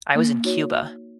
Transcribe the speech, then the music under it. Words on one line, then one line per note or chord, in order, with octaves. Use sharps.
I was in Cuba.
A#3
D#4 F#4 C#5